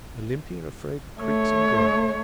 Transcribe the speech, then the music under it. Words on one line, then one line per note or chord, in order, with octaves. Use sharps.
Olympia afraid of creaks and groans?
A3 C#5